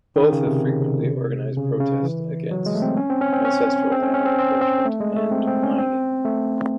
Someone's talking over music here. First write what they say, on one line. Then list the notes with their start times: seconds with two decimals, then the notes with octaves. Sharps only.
Both have frequently organized protests against ancestral land encroachment and mining.
0.16 D#3
0.32 C#3
0.47 C3
1.57 C#3
1.80 C#3
2.03 E3
2.51 F#3
2.66 G#3
2.75 A3
2.82 C4
2.97 C#4
3.10 C4
3.21 C#4
3.33 C4
3.45 C#4
3.92 C4
4.03 C#4
4.14 C#4
4.26 C4
4.39 C4
4.61 C4
4.85 A3
5.00 G#3
5.16 A3
5.31 C4
5.47 C4
5.63 C#4
5.78 C4
6.25 A3